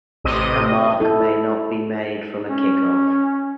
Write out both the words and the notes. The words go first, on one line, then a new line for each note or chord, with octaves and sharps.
A mark may not be made from a kick-off.
A1 C3 D#5 D#7
E4 A4
C#4